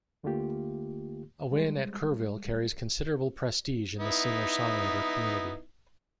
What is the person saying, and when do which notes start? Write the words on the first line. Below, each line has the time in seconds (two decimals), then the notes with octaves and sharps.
A win at Kerrville carries considerable prestige in the singer-songwriter community.
0.23 D2 D3 A3 A#3 F4 G4
1.52 G3 G#3
3.99 B3 D#4 E4